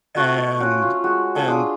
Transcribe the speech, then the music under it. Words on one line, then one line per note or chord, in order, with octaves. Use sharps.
and and
A3 F#4
F#4
C#4 F4 F#4
F4
G#3 F#4
A4
D4 F4 G#4